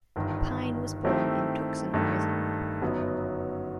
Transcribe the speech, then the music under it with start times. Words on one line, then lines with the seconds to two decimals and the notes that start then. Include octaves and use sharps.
Pine was born in Tucson, Arizona.
0.16 G1 G2 D#3
1.05 D#3 A3 C4 E4 G4
1.94 G2 D#3 A3
2.82 G1 F#2 F#3 B3 D#4